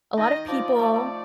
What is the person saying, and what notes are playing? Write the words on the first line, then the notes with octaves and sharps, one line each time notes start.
a lot of people,
D#3 D#5
F3 D5
A3 D5